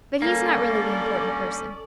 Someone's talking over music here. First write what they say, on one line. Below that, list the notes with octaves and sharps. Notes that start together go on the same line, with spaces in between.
But he's not really the important person.
D3 G3 A#3 C#4 A4 D5